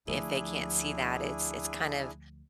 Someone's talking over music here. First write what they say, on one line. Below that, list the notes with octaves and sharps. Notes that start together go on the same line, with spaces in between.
if they can't see that, it's it's kind of
D2 F3 D4 E4 G#4